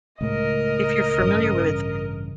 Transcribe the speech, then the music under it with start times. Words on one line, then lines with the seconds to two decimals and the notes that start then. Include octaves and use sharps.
If you're familiar with
0.21 C#2 A2 A#4 D#5
1.19 A1 G2 C#3